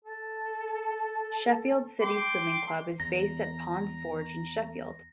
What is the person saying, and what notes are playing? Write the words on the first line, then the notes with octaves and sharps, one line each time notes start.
Sheffield City Swimming Club is based at Ponds Forge in Sheffield.
A4
G5 C6 D6
E2 A#5 A#6